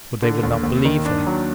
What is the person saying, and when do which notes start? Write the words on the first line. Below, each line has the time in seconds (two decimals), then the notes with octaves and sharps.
But they would not believe him.
0.22 D3
0.43 D#2
0.63 D#2
0.85 D#3
1.05 D4
1.27 F#3